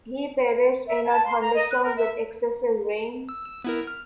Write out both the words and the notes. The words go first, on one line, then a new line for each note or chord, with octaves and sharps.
He perished in a thunderstorm with excessive rain.
E5
A5
C6
A#5
D#5
F#6
A#4
E5
E6
B3 E4 A#4
F6